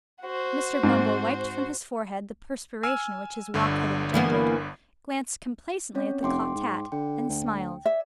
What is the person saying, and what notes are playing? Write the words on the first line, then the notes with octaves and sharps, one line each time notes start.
Mr. Bumble wiped from his forehead the perspiration which his walk had engendered, glanced complacently at the cocked hat, and smiled.
F#4 C5
G#2 C4
G#5 E6 F6
G1 G2 D3
E3 A#3 B3
C4 C#4 C#5
F1 G5 C6 D6
G#2
D3 G5
D2
D5 E5